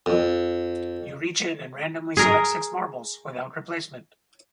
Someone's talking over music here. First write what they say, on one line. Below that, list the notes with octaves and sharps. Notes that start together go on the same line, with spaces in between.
You reach in and randomly select six marbles without replacement.
F2
G#4 A#4